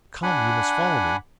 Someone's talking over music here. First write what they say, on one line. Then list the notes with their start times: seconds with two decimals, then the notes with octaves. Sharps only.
"Come, you must follow me!"
0.23 D4 F#5 G#5 B5